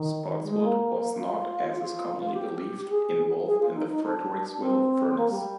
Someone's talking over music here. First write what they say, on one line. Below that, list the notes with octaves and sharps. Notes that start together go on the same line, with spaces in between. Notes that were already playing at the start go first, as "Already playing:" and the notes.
Spotswood was not, as is commonly believed, involved in the Fredericksville Furnace.
Already playing: D#3
G3
G#3
A#3
F4
F4
G4
G#4
G#4
F4
D#4
F4
D#4
D4
C4
A#3
G3